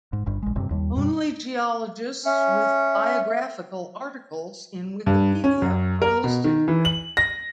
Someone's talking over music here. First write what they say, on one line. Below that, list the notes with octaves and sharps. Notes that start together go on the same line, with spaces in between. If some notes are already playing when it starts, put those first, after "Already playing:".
Only geologists with biographical articles in Wikipedia are listed here.
G#2
G1 G2
A#1 G#3
F#1 G2 C3
D#2 G3
F#2 B2 G3
C#4 E5
G2
C#4
F#2
A#4
B2
D#3
E3
F#7
A#6